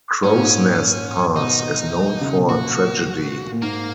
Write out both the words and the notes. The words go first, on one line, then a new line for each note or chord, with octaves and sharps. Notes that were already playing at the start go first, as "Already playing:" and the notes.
Crowsnest Pass is known for tragedy.
G#2 C#4
A#2
G#2
B2 D#4
C#3
B2
A#2 F#4
A#2
G#2 A#3